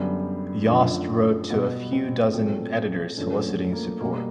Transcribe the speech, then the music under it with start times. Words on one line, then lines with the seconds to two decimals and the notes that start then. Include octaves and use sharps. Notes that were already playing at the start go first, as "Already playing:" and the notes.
Yost wrote to a few dozen editors soliciting support.
Already playing: F#2 D3 G3 B3
0.68 F#2 D3 F3 A3
1.50 B2 G3 B3
1.93 C4
2.34 A#2 F#3 A3 C4
3.17 F#2 D3 F3 A3 C#4
3.46 A3
3.73 A#3
4.01 B2 G3 A#3